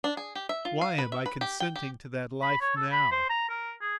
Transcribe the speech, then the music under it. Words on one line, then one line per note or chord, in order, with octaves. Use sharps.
Why am I consenting to that life now?
D4
G#4
G4
E5
F4
F5
B4
E5
B4
G4
G5
G4
B5
C#5
A4
B5
C5
A#5
A#4
G#4